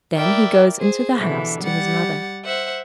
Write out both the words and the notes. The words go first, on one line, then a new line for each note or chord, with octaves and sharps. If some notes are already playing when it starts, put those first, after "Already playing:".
Then he goes into the house to his Mother.
E4 A#4 D5 E5 G5
G#4 C5
B2 D3 E3
G3 G4 F#5 A6
C5 E5 F#5